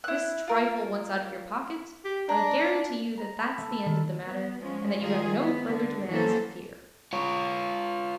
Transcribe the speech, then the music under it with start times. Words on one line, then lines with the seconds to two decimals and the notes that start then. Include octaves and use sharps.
This trifle once out of your pocket, I guarantee you that that's the end of the matter, and that you have no further demands to fear.
0.04 E4 F#6
0.48 F4 A#4
2.05 G4
2.29 D4 A#5
3.17 A#5
3.39 B5
3.58 A3
3.71 A4
3.85 D#3
4.25 B3
4.59 F3 G#3 C#4
4.99 D#3 G#3 F4 G#4
5.39 B3
5.70 D3
6.09 E3 F#3 A#3 C#4 A4 C5
7.13 F4 C#5